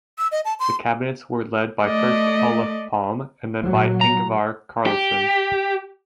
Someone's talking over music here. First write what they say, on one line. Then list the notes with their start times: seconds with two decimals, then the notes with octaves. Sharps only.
The cabinets were led by first Olof Palme and then by Ingvar Carlsson.
0.18 E6
0.32 D#5
0.45 A5
0.60 C6
1.84 A3 D5 D#5
3.64 A#2 F#3
4.01 A#5
4.86 G4